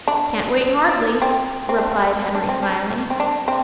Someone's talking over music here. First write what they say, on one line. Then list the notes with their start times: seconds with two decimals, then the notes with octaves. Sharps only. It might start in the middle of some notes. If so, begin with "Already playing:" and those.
"Can't wait, hardly," replied Henry smiling.
0.08 D4
1.22 C4
1.69 C4
1.78 D4
1.92 C4
2.35 D4
2.49 C4
2.63 D4
3.10 C4
3.20 D4
3.48 C4